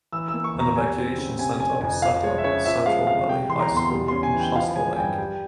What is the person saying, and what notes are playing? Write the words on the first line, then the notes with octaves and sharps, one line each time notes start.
An evacuation center was set up at Central Valley High School in Shasta Lake.
E3 E6
E6
A#3
C#6
E2 A#5
G3 G#5
C4
C#3
C3 G#5
F1 G#5
F2 G#5
F3 F5
G#3 C#5
E5
C#3 C#5
F3 E5
G#3 F5
C3 F5
C3 G5
E3 C6
A#5
E2
C6
G3
C6
C#4
G#5
E3
G5
F3 F5
G#3 G#5
G#5
G2 G5
G3 G5